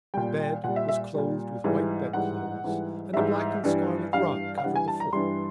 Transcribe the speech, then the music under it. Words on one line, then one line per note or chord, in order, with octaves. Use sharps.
The bed was clothed with white bedclothes and a black and scarlet rug covered the foot.
A#2 G3 G5
A#2 G3 F#5
E5
E5
A#2 G3
G#2 E3 G3
G#2 E3 G3 F#5
G#2 E3 G3
G#2 E3 G3 E5
G2 E3 G3
G2 E3 G3 F5
F5
G2 E3 G3 F#5
G#5
A5
A#5
G2 E3 G3 C6